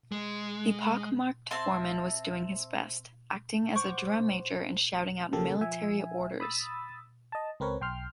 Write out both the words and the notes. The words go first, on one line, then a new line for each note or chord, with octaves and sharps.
The pockmarked foreman was doing his best, acting as a drum-major and shouting out military orders.
G#3
C4 E5 A5 C6
C5 F#5 C#6 D6
C#3 F#3 A#3 G4 A4
F3 E5 G#5
B5 D#6 E6 A6
D#5 A5
C#2 C4 A#4 B4 C#5
B1 G5 C6 F6